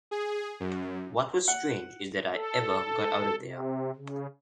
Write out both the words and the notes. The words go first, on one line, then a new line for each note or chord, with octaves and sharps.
"What was strange is that I ever got out of there".
G#4
F#2
F#5
A4
C3
C#3